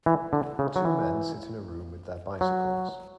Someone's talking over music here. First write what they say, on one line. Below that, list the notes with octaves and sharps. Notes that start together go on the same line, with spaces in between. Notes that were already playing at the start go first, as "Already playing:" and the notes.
Two men sit in a room with their bicycles.
E3
D3
C#3
F#3
E3
F#3